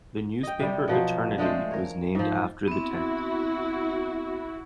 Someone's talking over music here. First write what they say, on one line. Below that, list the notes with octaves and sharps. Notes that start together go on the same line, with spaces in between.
The newspaper "Eternity" was named after the tag.
D#5 G5
C3 G3
B2 F3 F#3
D3 G#3 A3 C5
A#4 C#5
G#2 F3
B3 C4 E4 F#4